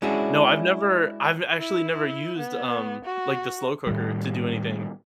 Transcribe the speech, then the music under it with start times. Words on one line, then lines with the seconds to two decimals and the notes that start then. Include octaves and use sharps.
No, I've never I've actually never used, um, like, the slow cooker to do anything.
0.02 G#3 C#4 D4 E4 F#4 G#4
1.58 E4
2.38 B3
3.05 F#4
3.87 A2 D#3 G3